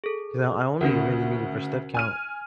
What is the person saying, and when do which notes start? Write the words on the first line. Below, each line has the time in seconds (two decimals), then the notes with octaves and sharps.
'cause I o I only really need it for step count.
0.04 G#4 A4
0.81 D2 C#3 C#4 F#4 A#4
1.95 G#5 F6 D#7